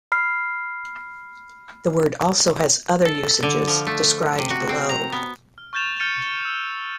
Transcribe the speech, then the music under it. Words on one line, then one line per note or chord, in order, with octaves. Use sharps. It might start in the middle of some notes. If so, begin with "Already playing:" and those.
The word also has other usages, described below.
B5 F6 C7
A4
D3
F3
A3
C3
F#4
C4
A#5
B3
F6
C#6 F6 G6 A6 E7 F7
F6 G6 A6 C#7 D#7
E6